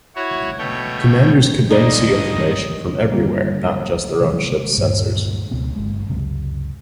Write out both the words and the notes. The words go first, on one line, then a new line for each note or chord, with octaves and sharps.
Commanders could then see information from everywhere, not just their own ship's sensors.
E4 F#4 C#5
B2 A3 C#5 G5
G2 A#3 D#4 D5 D#5
G2 D3 G3 A#3
C3 D#3 F3 G#3
D2 G2 A#2
C#2 B2 B3 C4
G1 G#3
C#2 F#2 C3